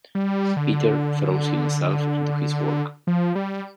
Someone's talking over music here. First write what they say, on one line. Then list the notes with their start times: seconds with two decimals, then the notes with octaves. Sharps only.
Peter throws himself into his work.
0.15 G3
0.57 D3
3.07 F3
3.35 G3